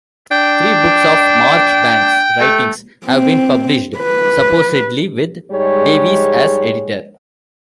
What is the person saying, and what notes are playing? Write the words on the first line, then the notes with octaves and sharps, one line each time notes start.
Three books of Marchbanks' writings have been published, supposedly with Davies as editor.
D4 G5
A3
C4
B4
G#2 G3 G#3 C#5